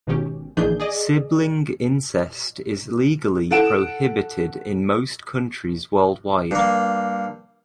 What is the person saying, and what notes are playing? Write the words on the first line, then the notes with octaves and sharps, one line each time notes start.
Sibling incest is legally prohibited in most countries worldwide.
G#1 B2 D#3 C#4 G4
A#1 D#3 E3 D4 G#4 G6
G#4 D5 D#5
A4 F#5 D7 E7
G2 A#3